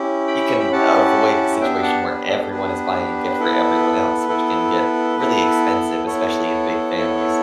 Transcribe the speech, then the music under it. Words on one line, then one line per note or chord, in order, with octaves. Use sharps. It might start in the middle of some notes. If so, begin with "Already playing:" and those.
you can avoid the situation where everyone is buying a gift for everyone else, which can get really expensive, especially in big families.
Already playing: C#4 E4 G4
G5 B5
C#6
B5
C#4 E4 G4 F#5 A5
B3 D4 G4 E5 G5
F#5 A5
B4
A4
B3 D4 G4 B4
B3 E4 A4
B3 E4 A4
B3 E4 A4
B3 E4 A4 C#5
B3 E4 A4